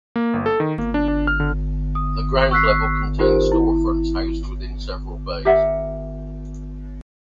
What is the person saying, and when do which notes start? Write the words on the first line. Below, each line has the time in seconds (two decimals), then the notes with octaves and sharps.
The ground level contained storefronts housed within several bays.
0.16 A#3
0.34 G1
0.46 A4
0.60 D#3
0.78 A#3
0.94 D4
1.08 D4
1.27 F6
1.40 D3
1.95 D#6
2.51 C#6 E6 F#6 B6 C7
3.19 D#4 F4 G4 A#4 C5
3.52 E4
5.45 G4 A#4 E5 F#5